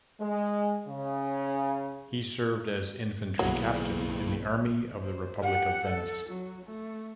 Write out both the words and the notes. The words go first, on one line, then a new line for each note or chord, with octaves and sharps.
He served as infantry captain in the army of the Republic of Venice.
G#3
C#3
B1 F#3 A#3 E4 G#4
C5
G4 F#5
A4
F#3
A3